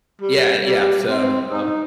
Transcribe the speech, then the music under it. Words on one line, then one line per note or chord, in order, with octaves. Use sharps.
Yeah, eh yeah, so, um
G3
G3
C4
D#4